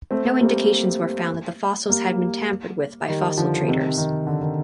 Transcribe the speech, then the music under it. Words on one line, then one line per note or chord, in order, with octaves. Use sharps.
No indications were found that the fossils had been tampered with by fossil traders.
A3 C4
G3 A#3
G3 A#3
D#3 G3
D3 F3
C3 D#3
C3 D#3
D3
D#3